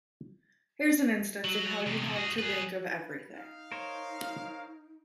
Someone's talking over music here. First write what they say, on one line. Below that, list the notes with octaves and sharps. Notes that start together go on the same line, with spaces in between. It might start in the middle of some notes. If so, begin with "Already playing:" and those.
Here's an instance of how you have to think of everything.
F#3
E2 C3
F#4 G#4
G#4 B4
B4
D#4 F5
A#4 C5 C#5